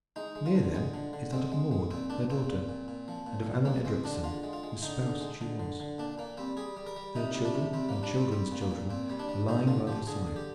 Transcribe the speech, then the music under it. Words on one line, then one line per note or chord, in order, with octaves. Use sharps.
Near them is that of Maude their daughter, and of Alleyne Edricson, whose spouse she was; their children and children's children are lying by their side.
G#3 D#4
G#3
F4
D3
G#3
D3
D3
G#3 C4
G#3
G#3
A#2 C4
A#2 D4
A#2 C4
A#2
A#2
A#2
F3
A#2
A#2
G#3 A#3
G#3 C4
D3 D4
D3 F4
G#3
F4
G#3
D3 D#4
D3
G#3
D3
D3
D3
A#2 D4
A#2 A#3
G3 C4
G3 G#4
G3
A#4
G3
C3 D#4
G3
D4
C3
G3 C4
G3 A#3
D4
G3 C4
G3 C4
A#2
A#3
A#2
A#2 C4
G3
D4
G3
D3 D#4
D3 F4
F3 G4
D3 G#4
D3
G4